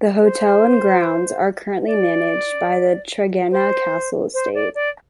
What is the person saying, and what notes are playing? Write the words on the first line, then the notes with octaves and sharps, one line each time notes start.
The hotel and grounds are currently managed by the Tregenna Castle Estate.
C5
D5
C5
C5
D5
D5